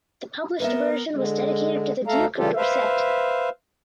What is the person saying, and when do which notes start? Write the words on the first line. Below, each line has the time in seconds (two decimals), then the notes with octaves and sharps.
The published version was dedicated to the Duke of Dorset.
0.60 B3 A#4 B4 D#5 E5
1.13 D3 G#3
2.07 D2 A3 A4 F5 A#5
2.37 C#3 E3 G3 F4 G4 A4
2.56 B4 C5 E5 F5